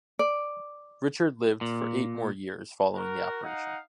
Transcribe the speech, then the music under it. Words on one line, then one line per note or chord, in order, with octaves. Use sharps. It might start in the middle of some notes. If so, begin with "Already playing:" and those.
Richard lived for eight more years, following the operation.
D5
A#2
F#4 A#4
D#4 F5 F#5